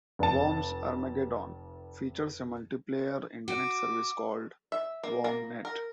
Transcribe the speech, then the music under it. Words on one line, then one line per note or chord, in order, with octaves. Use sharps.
"Worms Armageddon" features a multiplayer Internet service called WormNet.
F1 A5
F#4 D6
E5
A#3
A#3
A#4